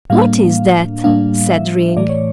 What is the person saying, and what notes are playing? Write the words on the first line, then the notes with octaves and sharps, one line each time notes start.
'What is that?' said Ring.
A2 G3 A#3 D4 F5
A2 G3 A#3 D4 F5
E5
A2 E3 A3 D5
C#5